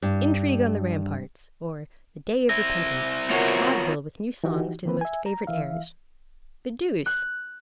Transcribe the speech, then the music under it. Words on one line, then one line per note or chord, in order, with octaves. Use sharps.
'INTRIGUE ON THE RAMPARTS; or THE DAY OF REPENTANCE: vaudeville with new songs to the most favorite airs.' The deuce!
G2
C4 E4 A#6
B3 F4 F#4 A#4 C#5
E3 D#4 F#4 G4
D#3 E3 A#3 C4 B4
E5 G#5
A#5
E3 E5 F5
F#6